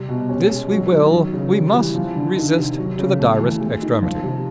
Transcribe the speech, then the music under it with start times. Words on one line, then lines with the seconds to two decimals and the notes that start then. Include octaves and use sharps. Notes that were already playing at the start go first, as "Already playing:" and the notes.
This we will, we must, resist to the direst extremity.
Already playing: C3 G3
0.09 B2
0.29 C#4
0.49 G#3
0.71 F#3
0.91 D#3
1.12 F#3
1.34 C#3
1.54 G3
1.74 E3
1.95 F3
2.16 D3
2.36 D#3
2.58 C3
2.78 F#3
2.99 C#3
3.20 A3
3.40 E3
3.60 G#3
3.82 D#3
4.03 F3
4.23 C3